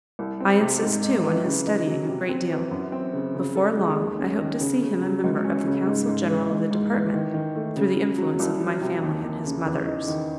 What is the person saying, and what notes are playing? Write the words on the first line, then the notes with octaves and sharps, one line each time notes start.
I insist too on his studying a great deal. Before long I hope to see him a member of the Council General of the Department, through the influence of my family and his mother's.
C2
C4
C3
G#2
D#4
E3
C#3
D#4
F#3
C3
C4
E3
F#2
C4
C#3
C#3
A4
G#3
D#2
C#4
D#3
C#3
C#3
F#3
C#2
C#4
C#3
G#2
G#2
E3
G#2
G#2
E3
D#3
D#3
A3
C#3
C#3
F#3
C2
F#3
C3
D#2
D#2
C#3
E2
D#4
D#3